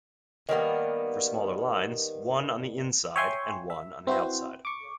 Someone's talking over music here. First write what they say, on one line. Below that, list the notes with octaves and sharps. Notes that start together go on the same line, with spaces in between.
For smaller lines, one on the inside and one on the outside.
D#3 G3 A#3 B3
C#5 E5 G5 G#5 C6 C#6
E5
C4 E4 F#4 B4 C5
C#6 D6